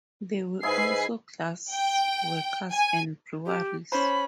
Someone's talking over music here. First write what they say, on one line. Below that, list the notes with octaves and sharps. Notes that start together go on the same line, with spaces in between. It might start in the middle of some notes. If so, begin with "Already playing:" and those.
There were also glass-works and breweries.
G#2 E4 G#4 B4 G#5 C7
G5
G#5
G4
C#4 C5 B5